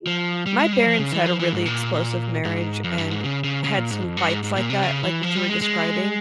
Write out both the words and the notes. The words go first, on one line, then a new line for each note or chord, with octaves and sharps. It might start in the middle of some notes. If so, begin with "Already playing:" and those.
ee my parents had a really explosive marriage and had some fights like that, like what you were describing,
F3
G3
G#3
G3
F3
C#3
E3
F3
E3
G#2
A#2
G#2
F2
G2
G#2
C#3
C#3
C#3
A#2
G#2
F2
G2
G#2
G#2
A#2
C3
C#3
E3
F3
G3
G#3
G#3